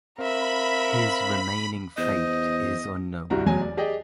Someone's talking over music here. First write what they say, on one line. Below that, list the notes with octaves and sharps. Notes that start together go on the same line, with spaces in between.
His remaining fate is unknown.
C4 A#4 E5 F5 B5
E2 C5 D#5
C2 G2 E4 F#4 A#5
F1 E2 F#3 G#5
D5
G4 G#4 D5 D#5 G5